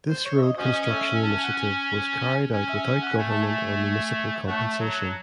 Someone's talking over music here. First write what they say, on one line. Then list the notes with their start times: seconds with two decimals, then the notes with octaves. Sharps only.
This road construction initiative was carried out without government or municipal compensation.
0.09 C5
0.25 C#5
0.37 E5
0.42 D#5
0.58 C#4 F#4 C5 D#5
0.90 A4 C#5 E5
1.23 A5
1.33 G#5
1.43 F#5
1.54 G#5
2.52 C#4 G#5
2.69 E5
3.02 F#5
3.17 A3 G#5
3.29 A5
3.42 G#5
4.46 A3 C#5 F#5 A5
4.79 F#3 A5